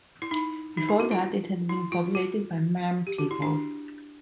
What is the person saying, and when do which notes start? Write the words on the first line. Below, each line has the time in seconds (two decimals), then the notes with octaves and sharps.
Before that, it had been populated by Mam people.
0.22 E4
0.31 D#4
0.77 D#4
0.89 E4
1.00 F#4
1.11 F4
1.69 E4
1.92 F4
2.15 F#4
3.07 G4
3.18 F#4
3.31 E4
3.42 D4